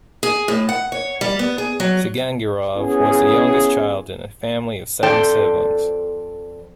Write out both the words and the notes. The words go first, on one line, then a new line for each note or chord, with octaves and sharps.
Zigangirov was the youngest child in a family of seven siblings.
G#4
A2
F#5
C#5
G3
B3
G#4
F#3
B3 C#4 E4 G#4
F2 A4 C5 D5 G5